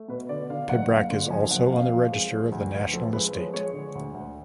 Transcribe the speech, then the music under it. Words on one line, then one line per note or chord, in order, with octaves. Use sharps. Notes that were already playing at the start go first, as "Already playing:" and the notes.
Pibrac is also on the Register of the National Estate.
Already playing: A3
B2 B4
D3 D5
D3 F5
F#1 F#5
F#1 F5
D3
F3 G#5
F#1 F#5
F2 F5
F3
G#3
F3
D2
D2 B4
F3 A4
G#3 B4
F3 C#5
G#3 C#5
D3
D2
D2